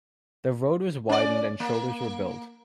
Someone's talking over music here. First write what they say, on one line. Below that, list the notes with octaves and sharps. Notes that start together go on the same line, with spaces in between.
The road was widened and shoulders were built.
C#4 D5
A#3